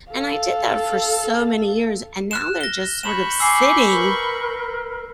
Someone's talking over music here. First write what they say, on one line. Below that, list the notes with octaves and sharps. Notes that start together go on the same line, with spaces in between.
and I did that for so many years, and now they're just sort of sitting,
A4 F5
F6 F#6 E7
A#6 G7
B5 C#6 G6 E7
G#5 D6 E6 C7
A#4 B4